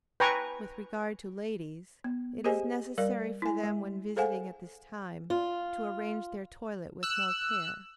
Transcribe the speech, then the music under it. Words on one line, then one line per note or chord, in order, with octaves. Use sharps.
With regard to ladies, it is necessary for them when visiting at this time, to arrange their toilet with more care.
B4 G5 G#5 A#5 C#6
B3
G4 G#4 C5 D#5 G#5
G3 A#4 D5 F5
E4 G#5
G#3
G#4 A4 C5 F5 F#5 G#5
F4
E6 F#6